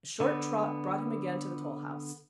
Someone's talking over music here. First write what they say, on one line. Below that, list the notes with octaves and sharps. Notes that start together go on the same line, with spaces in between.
A short trot brought him again to the toll-house.
D3 B3